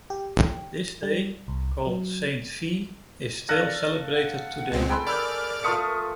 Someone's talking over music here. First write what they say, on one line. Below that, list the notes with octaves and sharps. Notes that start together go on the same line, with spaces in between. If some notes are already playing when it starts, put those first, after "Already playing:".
This day, called Saint V is still celebrated today.
G4
G3
C2
F#3
A4 D5 F5 F#6 A#6
F#5
C#2 G#3 C4
G#4 A4 B4 G5 B5 C6
A#4 D5 B5 D6 E6 F6 G6
A3 F4 C#6 D#6 C#7